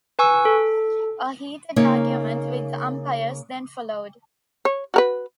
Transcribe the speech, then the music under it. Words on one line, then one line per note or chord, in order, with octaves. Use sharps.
A heated argument with the umpires then followed.
B4 G#5 C#6 E6
A4
C#3 A#3 D#4 C#5
C#5
F#4 A#4 B4